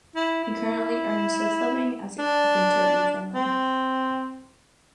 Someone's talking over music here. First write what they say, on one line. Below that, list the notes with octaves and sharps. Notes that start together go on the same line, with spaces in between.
He currently earns his living as a carpenter in Finland.
E4
E4
D4
C4